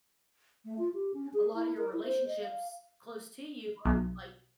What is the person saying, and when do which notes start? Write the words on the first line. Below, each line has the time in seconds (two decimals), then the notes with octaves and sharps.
a lotta your relationships close to you are, like,
0.65 A3
0.78 F4
0.94 G4
1.14 C#4
1.34 G#4
1.55 E4
1.77 A#4
1.93 E4
2.04 C5
2.27 D#5
2.42 F5
3.85 B1